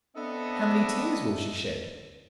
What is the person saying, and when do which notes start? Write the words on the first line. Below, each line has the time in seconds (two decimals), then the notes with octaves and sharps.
How many tears will she shed?
0.16 B3 C4 D4 A4 D#5 E5